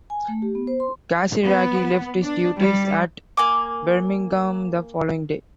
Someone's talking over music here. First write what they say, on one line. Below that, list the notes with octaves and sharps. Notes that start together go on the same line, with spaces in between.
Casiraghi left his duties at Birmingham the following day.
G#5
A3
G4
B3
C5
C6
B3
D4
G3
A#3 G#5 D6